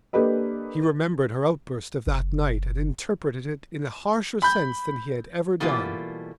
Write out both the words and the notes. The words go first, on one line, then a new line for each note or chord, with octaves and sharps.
He remembered her outburst of that night and interpreted it in a harsher sense than he had ever done.
A#3 D4 G4 A4 B4 D#5
F#1
B5 G6
B2 E3 G3 A3 A#3 F4